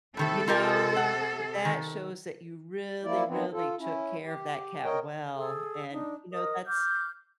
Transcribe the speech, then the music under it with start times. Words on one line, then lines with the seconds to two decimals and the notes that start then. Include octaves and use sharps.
you know, that shows that you really, really took care of that cat well, and, you know, that's
0.17 A2 C3 D#3 A3 A4
0.48 F4 G4 A#4
0.96 F#5
1.65 D#3
3.04 F3 A#3 E4 D5
3.27 D#3 F3 B3 C4
3.52 F4 A4
3.78 C#4 E4
4.25 G4
4.84 A#4 C#5 D#5 G5
5.35 G#4 A4
5.91 D4 D#4
6.31 A#4 D#5 D#6
6.66 D6 F6 G6